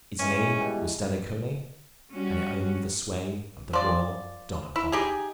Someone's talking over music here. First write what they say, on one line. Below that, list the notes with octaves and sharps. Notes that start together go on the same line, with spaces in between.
Its name was Stadacone, and it owned the sway of the royal Donnacona.
D#3 E3 G#3 C#4
B2 G3
G3 C#4 F#4
F3 D5
E4
D#4 G4 G#4